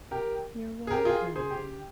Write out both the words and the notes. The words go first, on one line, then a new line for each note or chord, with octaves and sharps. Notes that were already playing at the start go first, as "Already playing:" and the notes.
You're welcome.
G4 A#4
G#4
G4 A#4
F4 G#4
G#4 C5
G4